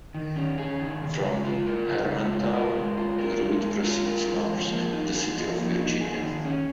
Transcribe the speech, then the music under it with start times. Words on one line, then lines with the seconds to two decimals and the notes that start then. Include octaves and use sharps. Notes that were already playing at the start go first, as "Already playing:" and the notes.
From Hermantown, the route proceeds north to the city of Virginia.
0.14 D#3
0.36 C#4
0.58 G#4
0.80 D#3
1.02 C#3
1.23 G#3
1.45 F4
1.66 A#4
1.88 C#3
2.10 G#3
2.32 F4
2.53 A#4
2.75 G#3
2.97 F4
3.18 A#4
3.40 G#3
3.62 G#3
3.84 F4
4.06 A#4
4.27 G#3
4.49 F3
4.71 A#3
4.93 D#4
5.14 G#4
5.36 F3
5.58 A#3
5.80 D#4
6.01 G#4
6.23 D#3
6.45 C#4